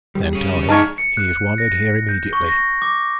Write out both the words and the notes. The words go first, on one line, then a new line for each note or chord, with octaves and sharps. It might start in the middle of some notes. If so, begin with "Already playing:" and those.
"Then tell him he is wanted here immediately."
G3
C#4 G#4
G#3 D#4 G#4 D5 A5 C#6 F6 G#6
C#7
F#6
A#6
G6
C#6
A#6
D6